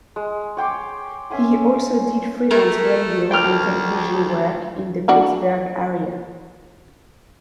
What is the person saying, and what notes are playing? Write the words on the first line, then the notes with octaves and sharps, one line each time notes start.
He also did freelance radio and television work in the Pittsburgh area.
G#3
C#5 G5 C6 D6
C#4 E5 G#5 C6
A3 E4 A#4
D2 G5 F6
E3 D4 F#4